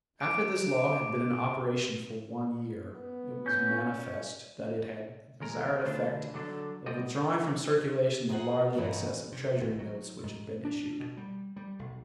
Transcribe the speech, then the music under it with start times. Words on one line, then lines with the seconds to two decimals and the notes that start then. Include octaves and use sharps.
After this law had been in operation for one year, it was manifest that it had the desired effect of withdrawing from circulation the large excess of Treasury notes which had been issued.
0.20 D6 D7
2.96 B3
3.46 C#4 G6
5.40 D#2 G#3 A#4
5.86 D2 E3 D4 F4
6.34 D3 F#3 D4 A4
6.86 C2 B3 C4 G4 D5 D#5
8.29 F4 G#4 A#4 C5 D#5 F#5
8.75 G2 E3 C4 D#4 F#4
9.32 C3
9.61 G#1
9.79 F#3
10.23 G#2
10.65 D4
11.00 B2
11.17 G3
11.56 G3
11.79 B1